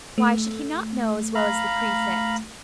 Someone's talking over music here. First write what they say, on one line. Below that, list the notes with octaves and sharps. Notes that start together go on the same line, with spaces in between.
'Why should he not know as well as the prefect?
A3
F5 A#5 B5